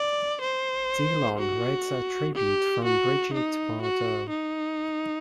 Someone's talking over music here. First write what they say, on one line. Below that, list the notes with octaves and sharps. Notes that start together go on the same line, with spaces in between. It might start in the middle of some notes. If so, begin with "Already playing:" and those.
Delon read a tribute from Brigitte Bardot.
Already playing: D5
C5
F#4
G4
F#4
D#4
F#4
D#4